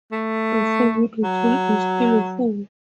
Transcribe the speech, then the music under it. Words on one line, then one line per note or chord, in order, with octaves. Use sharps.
A fool with a tool is still a fool.
A3
F#3